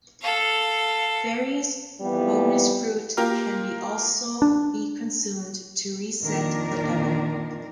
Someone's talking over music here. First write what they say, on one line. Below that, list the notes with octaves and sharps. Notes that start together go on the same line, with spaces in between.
Various bonus fruit can be also be consumed to reset the level.
A4 F5
F2 E3 G3 B3
A#3 F4 G4 A#4 F5
D4
F2 A#2 D#3 D4 A#4